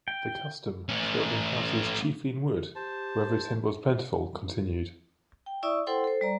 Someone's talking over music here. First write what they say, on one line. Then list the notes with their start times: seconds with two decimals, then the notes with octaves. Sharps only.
The custom of building houses chiefly in wood wherever timber was plentiful continued.
0.08 G5
0.89 A3 C#4
2.75 G4 C5 A5
5.46 G5
5.63 E4 D5 E5 C#6 D#6 E6
5.87 E4 A4 C5 F#5 G5 C6
6.04 A4 C5
6.21 G3 D5 A#5